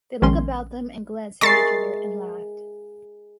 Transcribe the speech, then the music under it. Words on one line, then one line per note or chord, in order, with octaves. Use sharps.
They looked about them and glanced at each other and laughed.
A#1 D#3 G#3 C#4 C6
G#3 A#4 E5 C#6 A6 C7